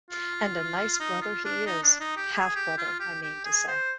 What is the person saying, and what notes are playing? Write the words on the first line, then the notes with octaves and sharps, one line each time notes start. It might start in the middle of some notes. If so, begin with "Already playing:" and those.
And a nice brother he is — half-brother I mean to say.
F4
D#4
F4
D4
D#4
D4
D#4
G4
G#4
G4
F4
G4
G4
G#4
C5